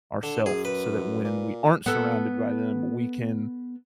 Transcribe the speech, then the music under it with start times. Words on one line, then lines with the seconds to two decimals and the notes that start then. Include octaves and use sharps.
ourself, so that when we aren't surrounded by them we can
0.23 D3
0.46 F#2 G#4
0.65 B4
1.24 A#2
1.86 B3 A4